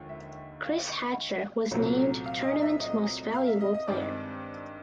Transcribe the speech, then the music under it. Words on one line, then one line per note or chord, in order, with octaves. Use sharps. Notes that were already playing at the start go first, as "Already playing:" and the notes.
Chris Hatcher was named Tournament Most Valuable Player.
Already playing: D#2 D3 F3 G#3
E5
F5
C2 A#2 F#3 A3 C4
F5
D#5
E5
D#5
F5
E5
D#5
D#5
G2 D#3 G#3 C4 D5